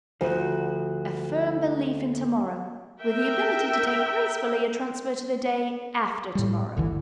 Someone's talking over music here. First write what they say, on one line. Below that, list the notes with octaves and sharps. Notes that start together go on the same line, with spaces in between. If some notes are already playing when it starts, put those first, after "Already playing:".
A firm belief in to-morrow with the ability to take gracefully a transfer to the day after to-morrow.
D2 F3 F#4
A#4 E5 G5
A2 G3
G1 D2 D3 E3